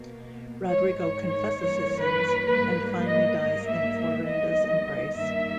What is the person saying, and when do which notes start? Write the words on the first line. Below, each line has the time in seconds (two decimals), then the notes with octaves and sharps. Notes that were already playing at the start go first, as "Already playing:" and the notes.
Rodrigo confesses his sins, and finally dies in Florinda's embrace.
Already playing: B2 A#3
0.69 G#2 D#3 G#3 C#5
0.98 C#5
1.28 C#5
1.58 G2 E3 A#3 C#5
2.02 B4
2.48 G#2 G3 A#3 B4
3.07 D#5
3.37 G#2 G3 A#3 D#5
3.67 E5
3.96 E5
4.26 D#2 D#3 G3 B3 D#5
5.15 G2 D#3 A#3 E5